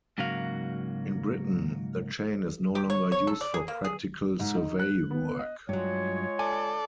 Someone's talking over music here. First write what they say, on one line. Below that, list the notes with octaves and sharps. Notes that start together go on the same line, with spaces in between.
In Britain, the chain is no longer used for practical survey work.
G#2 C#3 F#3 A#3 F#4 F5
G4
C#5
C#5
A4
D5
G#4
A#3
G#4
G#2
D#4
F#6
B3
D#5
G2 F#3 G#3 F4 C#5
A4 D5 G#5